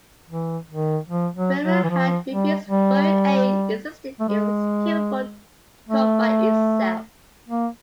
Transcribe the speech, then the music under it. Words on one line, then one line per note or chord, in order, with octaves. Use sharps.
Burma had refused foreign aid, insisting it was capable to cope by itself.
E3
D#3
F3
F#3
F#3
E3
F3
G3
G3
A3
G#3
A3
A#3